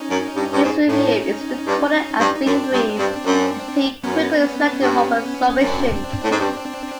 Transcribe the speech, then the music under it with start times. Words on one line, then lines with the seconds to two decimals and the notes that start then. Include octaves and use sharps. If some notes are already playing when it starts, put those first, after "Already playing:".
His review is recorded as being brief, and he quickly selected Hoban's submission.
Already playing: C#4 D#4
0.10 F#2
0.36 G2
0.52 G2
0.63 G#2
0.89 A2 C#4 D#4
1.67 G2
2.19 G2
2.35 D#4
2.46 F#2 C4 D4
2.72 G2
2.98 G2
3.25 F#2
4.04 F#2 B3 C#4
4.82 G2
5.50 C#4
5.61 F#2 C4 D4
6.23 A2
6.32 G#2
6.40 G2